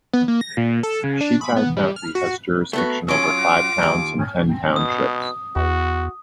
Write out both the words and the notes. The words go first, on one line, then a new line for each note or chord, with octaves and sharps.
Shitai County has jurisdiction over five towns and ten townships.
B3
A#3
A#6
A#2
A4
C#3
D4
B5
B3
G3
F6
F#4
A3 B3 F#4
F#3 C#4 F4 D6
D#2
B2 D#6
E2 F#4